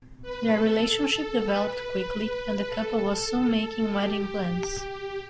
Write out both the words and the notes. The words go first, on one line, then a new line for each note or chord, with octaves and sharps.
Their relationship developed quickly, and the couple was soon making wedding plans.
B4
A4
B4
A4
G4